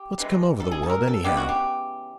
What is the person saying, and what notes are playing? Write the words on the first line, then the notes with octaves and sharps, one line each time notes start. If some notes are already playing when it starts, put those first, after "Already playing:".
What's come over the world anyhow?
Already playing: G4
C3 E3 G#3
A4
G#4
A4
A#4
A4
C#3 E3 G#3 B3 G4
F#4
G4